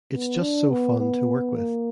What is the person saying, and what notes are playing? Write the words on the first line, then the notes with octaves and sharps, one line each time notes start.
It’s just so fun to work with.
B3
D4
B3
B3
A#3